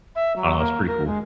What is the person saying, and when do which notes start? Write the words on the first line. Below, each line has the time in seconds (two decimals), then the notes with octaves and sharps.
I don't know, it's pretty cool.
0.15 E5
0.36 F#3
0.59 A#3
0.87 A#4
1.06 G#3